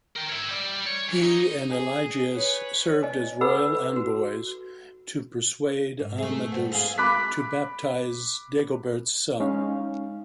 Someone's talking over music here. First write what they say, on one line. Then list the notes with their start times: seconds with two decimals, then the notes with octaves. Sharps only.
He and Eligius served as royal envoys to persuade Amadus to baptize Dagobert's son.
0.16 A#4 G5
0.29 C#5 E5
0.49 G3 D5
0.87 C#5
1.08 E3
1.24 D#4
1.70 G#4
2.36 B4 C#5
3.03 D#5 G#5
3.41 A4 B4 F#5 B5 D6 E6
3.96 F#4
5.99 G#2
6.18 A3 G#4
6.52 B3 C4
6.72 E4 F4 G#4
6.98 B5 D6 F#6 B6
9.40 G#3 C#4 D#4 F5